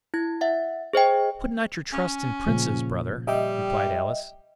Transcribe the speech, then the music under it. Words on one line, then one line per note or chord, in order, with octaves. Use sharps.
"Put not your trust in princes, brother," replied Alice.
E4 G#6
E5 F#5
G#4 C5 D#5 G5
C#4
A#2 C#3 F3
G3 D#5 E5 G5